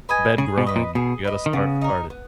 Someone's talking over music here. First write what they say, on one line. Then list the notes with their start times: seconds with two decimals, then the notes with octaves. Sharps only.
Bed growing. We gotta start start it.
0.09 B4 D#5 G#5
0.38 C#3 G#4
0.58 B2
0.67 B4 D#5
0.76 A#2
0.95 B2 G#4
1.25 B4 D#5
1.46 D#3
1.53 C#3 B3
1.81 D#4 A#4
2.10 B3